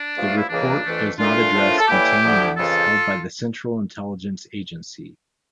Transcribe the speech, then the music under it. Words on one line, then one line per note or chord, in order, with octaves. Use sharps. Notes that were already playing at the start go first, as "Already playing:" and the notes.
The report does not address detainees held by the Central Intelligence Agency.
Already playing: D4
G2 F3 A3
F4
E4
C#2 C#3 E3 A#3 D4
F2 E3 A3
A#2 A3 D4 F4
A2 F3 A3
A#4
A4
A2 E3 G3 A#3 E4 G4
D2 D3 F3
F2 C#3 E3 F4 A4